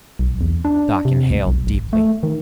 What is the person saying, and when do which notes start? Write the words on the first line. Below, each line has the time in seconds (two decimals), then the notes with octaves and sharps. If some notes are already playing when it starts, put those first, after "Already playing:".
Doc inhaled deeply.
0.19 B1
0.41 E2
0.65 D4
1.05 C3
1.30 D2
1.47 B1
1.67 G#1
1.93 A3
2.23 D#3